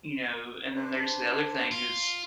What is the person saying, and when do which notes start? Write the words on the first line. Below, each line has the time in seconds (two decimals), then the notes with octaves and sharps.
you know, and then there's the other thing is
0.74 D4 B4 C5
1.72 F4